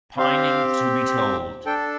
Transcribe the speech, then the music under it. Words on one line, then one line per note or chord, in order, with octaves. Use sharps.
Pining to be told.
C4 G4 F5
D4 A4 G5